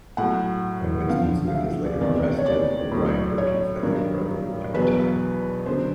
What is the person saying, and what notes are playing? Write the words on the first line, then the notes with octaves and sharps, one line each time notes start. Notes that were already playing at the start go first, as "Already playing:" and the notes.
When Winston Smith is later arrested, O'Brien repeats that Big Brother will never die.
A2 F#3 F#5
F#2 D3 F3 F5
F5
E5
D5
E2 C3 D#3 D5
C#5
D5
A2 F#3
C#5
G2 D#3 F#3 A#4
E2 B2 F#3 B4
F#2 D3 F#3 C5